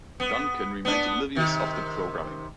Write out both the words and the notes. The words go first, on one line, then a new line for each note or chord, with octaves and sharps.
Duncan remains oblivious of the programming.
B3
B3 D4
C3 D#3